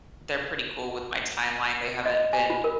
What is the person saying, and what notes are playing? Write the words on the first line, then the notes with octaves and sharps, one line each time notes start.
they're pretty cool with my timeline, they haven't been
D#5
G#5
F4
A#4